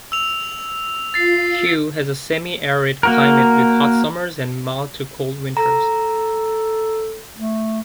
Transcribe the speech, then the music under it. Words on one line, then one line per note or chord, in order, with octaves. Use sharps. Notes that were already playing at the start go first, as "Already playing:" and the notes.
Cue has a semi-arid climate with hot summers and mild to cool winters.
E6 F7
F4 A6 C7
A#3 F#4 A#4
A4 A#5
A3